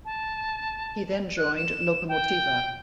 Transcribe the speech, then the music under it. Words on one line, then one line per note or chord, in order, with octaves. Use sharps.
He then joined Lokomotiva.
A5
F#6
E7
G5